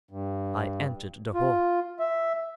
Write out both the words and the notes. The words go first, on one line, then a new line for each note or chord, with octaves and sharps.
I entered the hall.
G2
F4
E5